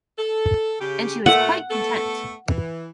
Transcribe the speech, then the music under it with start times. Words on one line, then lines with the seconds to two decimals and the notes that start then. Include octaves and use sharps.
And she was quite content.
0.17 A4
0.81 C#3 G4
1.26 A#2 A3 F#5
1.69 A3 B3 A4
2.48 E3